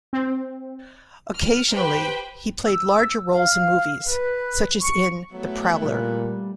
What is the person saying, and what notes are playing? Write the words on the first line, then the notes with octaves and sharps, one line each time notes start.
Occasionally he played larger roles in movies, such as in "The Prowler".
C4
F6
G4 B4 C5 G5
E6
F5
B4
C#6
F#3 A3 B3 E4
A#2 G3 F#6